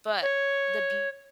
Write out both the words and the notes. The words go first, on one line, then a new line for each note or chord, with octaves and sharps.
But the beu
C#5